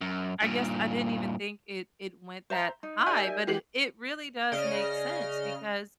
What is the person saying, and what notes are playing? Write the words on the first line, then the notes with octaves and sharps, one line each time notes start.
I guess I didn't even think it it went that high but it it really does make sense because,
F#2
G2 A#2
C5 E5 A#5
D#4
G4 A#4 D5 E5 G#5 G6
E3 G#3 G4 F#5 G5 F#7
C#3 D5 D#5 F6